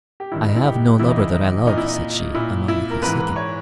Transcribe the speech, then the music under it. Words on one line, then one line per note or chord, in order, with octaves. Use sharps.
"I have no lover that I love," said she, "among the Kosekin."
G4
G2 D#3 E4
D#4
E4
G4
E2 C#3 E3 E4
D#4
E4
D#4
A#2 D#4
E4
D#4
A#2 E4
E4
A#4
G#2 E3 B4
B4
C#5